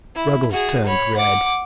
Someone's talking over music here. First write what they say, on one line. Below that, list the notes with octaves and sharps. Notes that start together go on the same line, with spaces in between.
Ruggles turned red.
E4
F#4 G#4
C#5 B5
F#5 D6